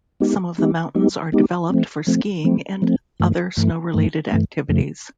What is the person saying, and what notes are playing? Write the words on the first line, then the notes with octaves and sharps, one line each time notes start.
Some of the mountains are developed for skiing and other snow-related activities.
G#3 B3 D#4 G4
G#3 B3 D#4 G4
G#3 B3 D#4 G4
G#3 B3 D#4 G4
F3 A3 C4
F3 A3 C4
F3 A3 C4
F3 A3 C4
G2 E3 A3
G2 E3 A3
G2 E3 A3
G2 E3 A3
F2 C#3 F3 A3